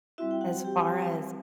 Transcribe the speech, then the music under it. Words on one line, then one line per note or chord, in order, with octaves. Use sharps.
as far as
G3 C4 E4 F#4 E5
G5
F#4 F#5
G4 G5